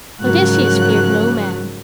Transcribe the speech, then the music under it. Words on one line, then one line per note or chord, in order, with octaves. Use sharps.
Odysseus feared no man.
G#2 C#3 F3 F#3 A#4 F#6